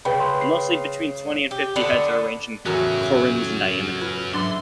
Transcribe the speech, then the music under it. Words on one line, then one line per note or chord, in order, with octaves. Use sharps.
Mostly between twenty and fifty heads are arranged in corymbs in diameter.
C#3 B4 G5 B5
C6
C7
G4
D3 B3 D4
E2 A2 C#3 F#3 C#4 F#4 A#4 A#5
F4 B4
G#2 F#3 D4 E4 F#5 C6